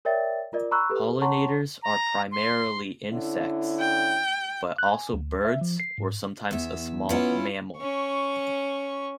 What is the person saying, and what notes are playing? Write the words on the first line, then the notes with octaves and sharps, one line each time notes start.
Pollinators are primarily insects, but also birds or sometimes a small mammal.
A#4 C#5 D5 E5 G5 A6
F4 A#4 D5 D#5
A#5 B5 C#6 E6 F#6
G4 A4 B4
C#5 F#5 A5 A#5 C6 C#6
A#5
C6
D3 C#4 E4
G5
F#6
G#5
D2
E5
F3
C7
G#2
E2 E5
B3 C#4 E4 F4
C#4 C#6